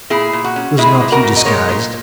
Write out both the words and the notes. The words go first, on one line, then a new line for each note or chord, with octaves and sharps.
Was not he disguised?
A#2 E4 G#4
A#2
F#4
C#4
G#3 E4 G#4
A#2
F#4 A#4
A#2
D#5
G#3 A#4 C#5
A#2